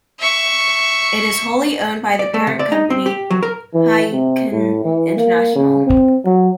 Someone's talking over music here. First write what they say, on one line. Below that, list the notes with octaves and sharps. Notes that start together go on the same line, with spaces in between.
It is wholly owned by parent company Heineken International.
E5 C#6
D5
A3
C3
D5
D#4
C4
G4
F#3
A#4
E3
C3
A2
E3
A#3
C#3
C4
F#3